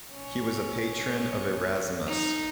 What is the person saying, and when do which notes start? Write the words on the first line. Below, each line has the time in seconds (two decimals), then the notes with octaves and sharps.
He was a patron of Erasmus.
0.13 C#4
2.07 D#4